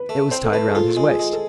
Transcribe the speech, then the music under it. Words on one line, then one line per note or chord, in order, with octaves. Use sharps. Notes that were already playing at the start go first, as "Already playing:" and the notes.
It was tied round his waist.
Already playing: B4
A3
C4 C5
A4
A3 B4
G#4
F4 A4
G#3
G#4
G#3
A4